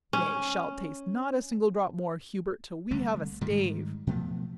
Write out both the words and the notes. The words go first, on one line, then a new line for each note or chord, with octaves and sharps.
Nay, shalt taste not a single drop more, Hubert, till we have a stave.
C#4
C2 D3 A3
G#2 D#3 G3
B2 F3 A3 B3